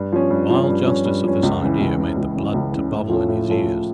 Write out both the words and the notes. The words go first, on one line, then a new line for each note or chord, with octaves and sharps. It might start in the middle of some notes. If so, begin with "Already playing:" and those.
The wild justice of this idea made the blood to bubble in his ears.
Already playing: G2
F3 C#4
G2
F3 C#4
G2
F3 C#4
G2
F3 C#4
C#2
C#3 E3
C#2
C#3 E3
C#2
C#3 E3
C#2
C#3 E3
A2
F3 C#4 F4 A4
A2
F3 C#4 F4 A4
A2